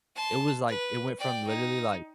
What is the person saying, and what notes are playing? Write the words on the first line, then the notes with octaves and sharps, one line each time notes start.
it was like it went from literally, like
A5 C6
B4
D5 G5
D#4